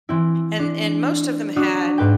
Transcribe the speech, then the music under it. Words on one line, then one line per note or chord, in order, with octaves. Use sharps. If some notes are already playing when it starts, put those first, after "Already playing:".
and and most of them had
E3 C4 E4
D4
D4 F#4 D#6 F6
G#2 B4 G5